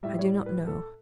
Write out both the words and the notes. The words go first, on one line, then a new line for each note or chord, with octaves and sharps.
I do not know.
A2 G3 E5
C#5
D5
B4
A4